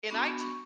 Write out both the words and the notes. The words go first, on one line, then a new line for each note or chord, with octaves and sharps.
And I to
B3 D4 F#4 C#6
B5
C#6